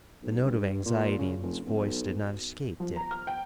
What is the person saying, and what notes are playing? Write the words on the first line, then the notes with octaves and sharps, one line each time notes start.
The note of anxiety in his voice did not escape Dick.
B1
G2
A#2
C#3
F1
D1
B1
F3
A#5
F6
G5